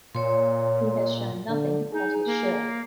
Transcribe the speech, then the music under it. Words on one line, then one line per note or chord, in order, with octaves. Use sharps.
He has shown nothing but his shell.
A#2 C#5 C6
D3
D#4 G#4
A#3